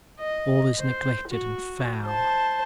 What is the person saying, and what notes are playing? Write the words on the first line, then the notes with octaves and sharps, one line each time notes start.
All is neglected and foul.
D#5
C5
F#4
C5 A5